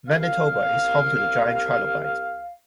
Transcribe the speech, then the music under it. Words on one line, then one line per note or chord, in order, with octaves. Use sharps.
Manitoba is home to the giant trilobite.
C2 F5